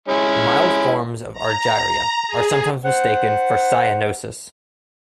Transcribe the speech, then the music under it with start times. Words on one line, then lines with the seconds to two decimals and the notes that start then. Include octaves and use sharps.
Mild forms of argyria are sometimes mistaken for cyanosis.
0.08 G#3 C#4 E4
1.33 A#5
2.28 G#4
2.84 C5 F#5